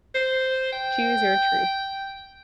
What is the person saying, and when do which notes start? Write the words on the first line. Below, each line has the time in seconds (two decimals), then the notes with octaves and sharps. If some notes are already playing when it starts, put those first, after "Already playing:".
"Choose your truth."
0.15 C5
0.73 G5